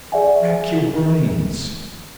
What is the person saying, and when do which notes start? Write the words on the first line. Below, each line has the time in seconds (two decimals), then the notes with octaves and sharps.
Rack your brains!
0.12 G#4 D5 E5 F#5 G#5